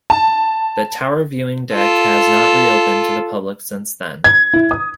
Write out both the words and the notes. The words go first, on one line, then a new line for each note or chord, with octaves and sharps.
The tower viewing deck has not re-opened to the public since then.
A5
F4 A4
G#6
E4
D#6